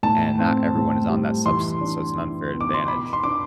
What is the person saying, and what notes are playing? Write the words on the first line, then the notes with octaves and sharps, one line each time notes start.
and not everyone is on that substance, so it's an unfair advantage.
A2 A5
C4
A2
G3
E3 C6
D4
E3
B3
D6
C6
B2 B5
C6
D4 D6